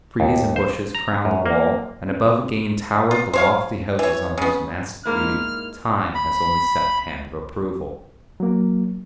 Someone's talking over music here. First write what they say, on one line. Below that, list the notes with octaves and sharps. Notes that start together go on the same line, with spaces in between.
Trees and bushes crowned the wall, and above again towered the lofty houses on whose massive beauty Time has only set the hand of approval.
D#2
C5
A#5
F#2
A#3
F4
C5 C#5 F5
E3 C#5
C#3 B3
G#2 A#3 E4 F6
B5
F#3 A#3